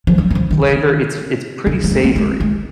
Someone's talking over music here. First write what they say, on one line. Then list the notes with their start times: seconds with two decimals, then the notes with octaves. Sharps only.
flavor. It’s it’s pretty savory,
0.07 F3
0.18 G3
0.30 D#3
0.35 F3
0.51 D#3
1.67 D3
1.84 G3
1.91 G#3
2.04 A#3
2.16 G#3
2.40 G#3